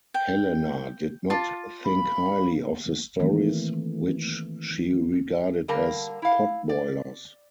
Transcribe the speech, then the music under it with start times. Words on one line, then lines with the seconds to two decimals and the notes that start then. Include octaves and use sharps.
Helena did not think highly of the stories, which she regarded as potboilers.
0.14 G5
1.30 F4 A5 D6
1.85 B5
3.19 D#3 E3 A3 A#3 C4
5.68 D3 G3 A#3 A#4 A5
6.22 E4 F5
6.69 D5